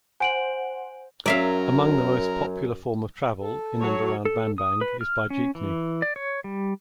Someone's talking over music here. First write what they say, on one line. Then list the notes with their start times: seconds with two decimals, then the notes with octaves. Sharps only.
Among the most popular form of travel in and around Bambang is by jeepney.
0.20 C5 F#5 G#5 D7 F#7
1.26 F#2 F#3 C#4 A#4 D5 E5 F5
3.41 A4
3.80 F#3 C#5
4.25 A4
4.58 D#6
4.81 B4
5.01 F6
5.30 C#4
5.55 E3
6.02 D5
6.16 C#5
6.44 G3